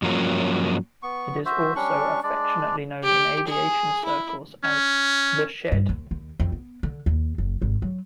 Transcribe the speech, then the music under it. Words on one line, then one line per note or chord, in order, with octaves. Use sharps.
It is also affectionately known in aviation circles as "The Shed".
G2 F3 F#3 A#3 C#4
B3 C#6
F#4 C5 E5
G3 C#4 D4 C#6
G#3 D4 D5
G4
G#4
E4
C#4
G2
D#2
D#2
F2
B3
D3
D#2
F#1
G#1
F#3